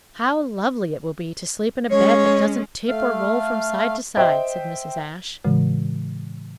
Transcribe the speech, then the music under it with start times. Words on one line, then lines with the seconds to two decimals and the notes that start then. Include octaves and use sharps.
"How lovely it will be to sleep in a bed that doesn't tip or roll from side to side!" said Mrs. Ashe.
1.90 G#3 C#4 C#5
2.88 A3 F5
4.17 C5 D#5 E5 G5
5.44 A2 C#3 E3 G#3